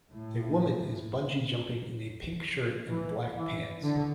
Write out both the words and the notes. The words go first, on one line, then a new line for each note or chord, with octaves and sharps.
A woman is bungee jumping in a pink shirt and black pants.
A2
E3
E3
D3